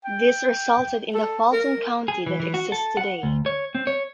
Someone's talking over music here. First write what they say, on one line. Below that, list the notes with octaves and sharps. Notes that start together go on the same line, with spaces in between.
This resulted in the Fulton County that exists today.
G5
A4
A#4
G#4
E3
E3
F#4
A4
F#5
D2
C#5
C4
C#5